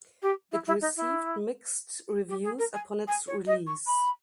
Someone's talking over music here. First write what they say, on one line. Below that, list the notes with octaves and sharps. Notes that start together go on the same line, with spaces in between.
It received mixed reviews upon its release.
G4
E4
E4
D#4
E4
G4
G#4
A#4
G#5
G#5
C#5
D#5
C#6
B5